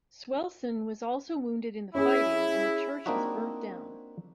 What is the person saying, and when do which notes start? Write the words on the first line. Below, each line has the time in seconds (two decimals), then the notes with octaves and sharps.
Swelsen was also wounded in the fighting and the church was burnt down.
1.95 C#4 E4 G#4
3.06 A#3 C4 D4 D#4 F4 F#4